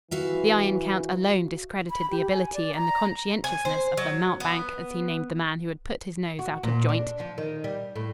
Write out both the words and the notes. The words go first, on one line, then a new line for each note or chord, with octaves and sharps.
The Iron Count alone discredited the ability and the conscientiousness of the "mountebank," as he named the man who had put his nose out of joint.
E3 F#4 E5 F5
B5
G4
G#5
D5
A#5
G#5
C5
F#3
B3
F#4
A#2
D4
F3
D#3
G3
A2